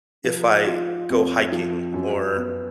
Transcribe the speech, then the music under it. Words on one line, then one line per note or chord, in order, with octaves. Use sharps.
if I go hiking or,
F3
F4
F2
F3
F#2
B3